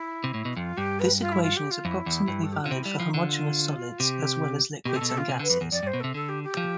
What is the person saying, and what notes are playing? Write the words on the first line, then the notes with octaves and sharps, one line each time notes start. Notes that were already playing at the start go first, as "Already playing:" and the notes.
This equation is approximately valid for homogeneous solids as well as liquids and gasses.
Already playing: E4
C3
A2
B2
F2 F4
G2 G4
B4
F4
E4
F4
G4
F4
F2 E4
E2
G2
A4
G4
D3 F4
C3 E4
G3
E4
F3
D3 F4
C3 G4
B2 G4
C3 A4
B2
A4
F4
C3
D3
B4
F2
E2
F2 D5
G2
C5
B2
C3 A4
D3 A4
G4
G4
F3